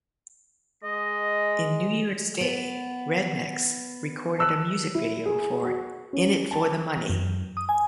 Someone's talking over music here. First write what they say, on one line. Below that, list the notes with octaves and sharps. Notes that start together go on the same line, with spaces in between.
In New Year's Day, Rednex recorded a music video for "Innit for the Money".
G#3 D#5
B3
A5 E6 F#6
E4
G#4
F#4
C#4
A5
E3
F#2
D#6
G#5